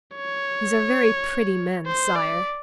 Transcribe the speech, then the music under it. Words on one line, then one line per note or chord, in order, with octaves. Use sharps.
These are very pretty men, Sire.
C#5
C5
D5